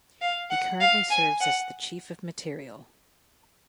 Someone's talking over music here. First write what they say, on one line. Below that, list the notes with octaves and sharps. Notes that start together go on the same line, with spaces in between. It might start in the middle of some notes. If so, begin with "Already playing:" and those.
He currently serves as the Chief of Materiel.
F5
F#5
F5
G#5
F#5